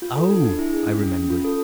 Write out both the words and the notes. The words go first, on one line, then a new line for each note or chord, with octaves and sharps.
"Oh!" I remembered.
F4
A4
D4
D4
E4
G#4
C#4
C#4
C#4
F4
A4